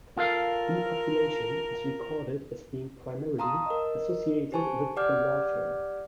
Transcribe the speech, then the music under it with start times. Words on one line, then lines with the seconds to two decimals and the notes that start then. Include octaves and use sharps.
Depopulation is recorded as being primarily associated with the warfare.
0.17 F4 A4 A#4 F5
3.39 F5 A5 A#5 C6 D#6
3.66 A#4 D#5
4.52 G4 C5 G#5 A5 C#6
4.97 G4 D5 F#5 D6 F6 G6